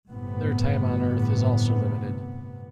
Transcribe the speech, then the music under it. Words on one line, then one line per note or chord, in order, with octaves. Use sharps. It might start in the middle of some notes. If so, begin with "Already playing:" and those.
Their time on Earth is also limited.
G1 A2 C3 B3